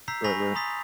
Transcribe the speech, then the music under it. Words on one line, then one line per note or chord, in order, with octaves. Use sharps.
Right, right.
A#5 E6 G6 B6 C7
G#5 B5 C#6 A#6 B6 F7
A#5 C6 D#6 A6 B6